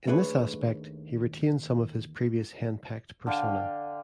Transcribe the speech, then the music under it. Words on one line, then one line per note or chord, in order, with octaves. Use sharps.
In this aspect, he retains some of his previous hen-pecked persona.
D#2 A3 D4 G#4 B4 C#5
D3 F5 G5